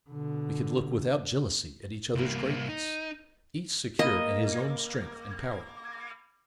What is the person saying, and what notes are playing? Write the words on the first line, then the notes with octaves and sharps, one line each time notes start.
We could look without jealousy at each other's greatness, each secure in his own strength and power.
B2 D3
C2 A#3
D#4
A#3 D#5